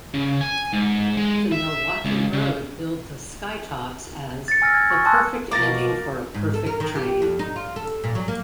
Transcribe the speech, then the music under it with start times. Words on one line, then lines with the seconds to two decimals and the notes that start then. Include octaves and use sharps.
The Milwaukee Road billed the "Skytops" as "the perfect ending for a perfect train".
0.14 C#3
0.41 G#5
0.73 G#2
1.17 G#3
1.52 E5
2.05 C#2
2.33 C#3
4.48 A6 C#7
4.62 G#5 E6 F6 A6 A#6
4.74 G#6
4.90 G#5 C#6
5.05 G#5 A5 C6 D#6 E6 F#6
5.51 B2 A#3 F#4 A#4 D6 A6 A#6
6.34 G#2
6.54 A4
6.66 A#4
6.80 D#3
6.95 G4
7.22 F2
7.39 D#4
7.56 F4
7.76 A4
8.04 A#2
8.15 F#3
8.28 A#3